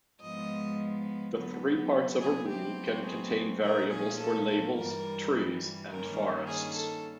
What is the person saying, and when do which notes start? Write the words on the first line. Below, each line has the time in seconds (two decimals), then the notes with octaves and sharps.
The three parts of a rule can contain variables for labels, trees, and forests.
0.20 G#2 F3 G#3 B3 D#5
1.34 D3 F#3 B3
2.21 G#4
2.48 B2 F#3 A3 C4 G4
3.06 G#4
3.63 A#2 F3 A3 C#4 A#4
3.91 G#4
4.20 A4
4.48 A4
4.77 G2 E3 G3 A#4
5.91 G2 D#3 G3 A#3 C#4 A#4
6.48 G#4
6.77 A4